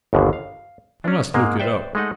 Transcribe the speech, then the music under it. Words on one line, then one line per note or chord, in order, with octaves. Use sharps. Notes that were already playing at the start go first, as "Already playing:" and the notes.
I must look it up.
G1 D#2 B2 D3
F5
C#4 D4
G#2 G#3 A#3
B4 C5 D5 E5 G5
G#3 A3 D#4 D#5 F#5